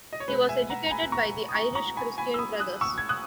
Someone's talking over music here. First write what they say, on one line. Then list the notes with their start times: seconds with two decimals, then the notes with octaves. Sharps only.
He was educated by the Irish Christian Brothers.
0.13 D#5
0.20 C#5
0.28 B2 G#3 B4
0.49 E5 G#5
0.70 F#5 A#5
0.86 A#5
0.91 G#5 B5
1.12 A#5 C#6
1.49 D#6
1.55 A#5 C#6
1.75 A#5 C#6
1.97 G#5 B5
2.18 G#5 B5
2.34 E6
2.38 B5 D#6
2.60 D#6 F#6
2.81 C#6 E6
2.98 G#6
3.09 D#6 F#6